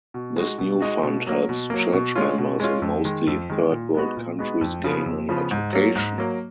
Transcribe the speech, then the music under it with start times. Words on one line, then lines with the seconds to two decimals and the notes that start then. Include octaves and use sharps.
This new fund helps church members in mostly third-world countries gain an education.
0.14 B2
0.36 G#3 D#4 F#4
0.58 B2
0.81 G#3 D#4 F#4
1.03 B2
1.26 F#3 A#3
1.49 B2
1.70 F#3 A#3
1.93 B2
2.15 G#3 C#4 F4
2.38 B2
2.60 G#3 C#4 F4
2.82 F2
3.05 D#3 G#3
3.27 F2
3.50 D#3 G#3
3.72 A#2
3.94 G#3 B3 D#4 F#4
4.17 A#2
4.39 G#3 B3 D#4 F#4
4.61 F2
4.84 C#3 F3 B3
5.06 F2
5.29 C#3 F3 B3
5.51 G#2
5.73 F#3 A#3
5.95 G#2
6.18 F#3 A#3